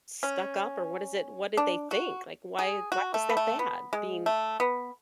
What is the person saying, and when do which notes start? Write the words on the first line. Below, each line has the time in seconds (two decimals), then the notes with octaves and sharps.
stuck up, or what is it what did they think? Like, why why is that bad being
0.23 C#4
1.57 D4
1.91 F#4
2.59 G#4
2.92 F#4
3.14 A3
3.29 B3
3.37 A3
3.59 B3
3.93 G#3
4.26 A3
4.60 B3